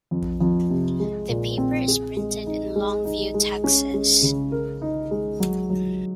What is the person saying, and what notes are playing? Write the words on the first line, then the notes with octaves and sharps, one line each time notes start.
The paper is printed in Longview, Texas.
F2
F2
C3
G#3
A#2
C4
G#4
G#3
D#4
G#3
D#4
G#3
C#4
G#3
C#3
A#4
D#4
G#3
F#3
F#3